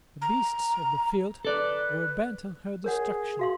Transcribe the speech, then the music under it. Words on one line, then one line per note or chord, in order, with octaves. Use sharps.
The beasts of the field were bent on her destruction.
A#5
A4 B4 D5
G#4 A#4 C#5 F#5
F#4 F5 C6